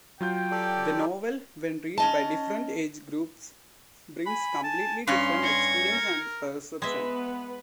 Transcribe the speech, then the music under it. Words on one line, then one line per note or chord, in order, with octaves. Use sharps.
The novel when read by different age groups brings completely different experience and perception.
F#3 F4 G5 G6
G4 A4 D5
C#4 D#5 A5
G#5 B5
A5
G2 C#4 F5 C6
G#6 A#6 C#7
A#4
G#3 B3 B4 E5